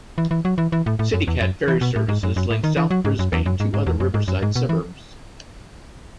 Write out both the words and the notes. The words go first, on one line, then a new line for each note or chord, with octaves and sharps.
CityCat ferry services link South Brisbane to other riverside suburbs.
E3
E3
F#3
E3
E3
A2
A2
F#2
E2
F#2
E3
B2
A2
G#2
F#2
F#2
A2
D#3
E3
F#3
G#2
F#2
E2
F#2
G#2
G#2
E2
F#2
G#2
F#2
G#2
B2
E3